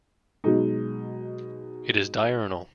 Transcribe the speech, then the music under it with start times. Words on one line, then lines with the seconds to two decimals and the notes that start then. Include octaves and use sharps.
It is diurnal.
0.44 B2 F#3 G#3 D#4